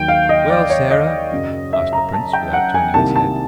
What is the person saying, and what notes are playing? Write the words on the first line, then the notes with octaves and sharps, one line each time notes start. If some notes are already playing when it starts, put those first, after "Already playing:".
"Well, Sarah?" asked the prince, without turning his head.
Already playing: D#2 D#3 F#3 G5
F5
D#5
D5
C#5
D#5
F#2 C#3 F#3
E5
A#5
A5
G5
F#5
G#5
C2 C3 D#3 G3 A#3 A5
A5